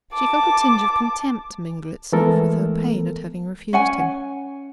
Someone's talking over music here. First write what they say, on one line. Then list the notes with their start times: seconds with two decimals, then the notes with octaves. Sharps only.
She felt a tinge of contempt mingle itself with her pain at having refused him.
0.14 A5 D6
2.12 E3 G#3 A3 B3 A4 A#4
3.73 C#4 F#5 G#5